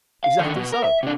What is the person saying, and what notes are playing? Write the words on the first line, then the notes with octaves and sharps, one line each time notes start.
"Exactly so."
F5
D3 D#3
B2
A#4
E5
C3 D4